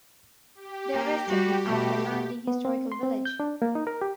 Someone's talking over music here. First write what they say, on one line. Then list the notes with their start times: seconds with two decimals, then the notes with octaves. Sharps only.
They arrested him at The Landing historical village.
0.55 G4
0.93 A#3
1.28 G3 F#4
1.65 B2 A3
2.47 B3
2.65 C4
2.92 C6
3.03 C4
3.25 G6
3.40 D4
3.62 A#3
3.75 D#4
3.87 A#4
4.01 G4